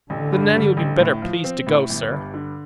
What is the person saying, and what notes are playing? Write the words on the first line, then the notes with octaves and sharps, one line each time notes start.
"Then Nanny would be better pleased to go, sir."
A1 D3
G2
G3
A1
A2
F3
C4
A2
G1
G2
D3